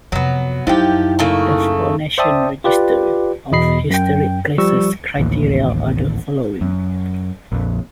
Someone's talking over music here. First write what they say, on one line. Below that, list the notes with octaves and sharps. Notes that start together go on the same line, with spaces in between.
The four National Register of Historic Places criteria are the following.
F2 C3 F#3 B3
F#2 F3 D#4 E4 G4
C#3 A3 A#3
C5 D5 E5 G5 A5 D#6
F4 G4 B4 D5
E2 B2 D#5 B5 C7
F#2 G5
F3 G3 C#6 E6
D1 A1 D#2
F#2
A#1 F2